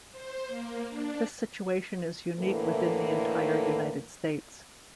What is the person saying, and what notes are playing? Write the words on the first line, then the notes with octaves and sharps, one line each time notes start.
This situation is unique within the entire United States.
C5
A#3
D4
A2 D3 E3 A3 A#3